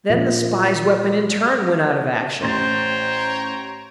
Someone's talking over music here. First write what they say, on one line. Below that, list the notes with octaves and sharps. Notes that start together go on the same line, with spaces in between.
Then the spy's weapon in turn went out of action.
A#2 F3
A1 C5 C#5 G5 A#5 C6 A6